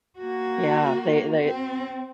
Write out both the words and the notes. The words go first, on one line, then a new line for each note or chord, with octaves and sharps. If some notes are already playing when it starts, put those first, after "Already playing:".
Yeah, they they
A#3 F#4
C4